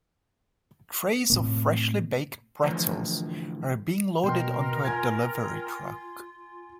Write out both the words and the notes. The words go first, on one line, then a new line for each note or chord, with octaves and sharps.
Trays of freshlybaked pretzels are being loaded onto a delivery truck.
A2 C3 A#3
A2 D3 E3 F3 C5 A#5
B2 A#4 G5 C6
F4 G#5 G#6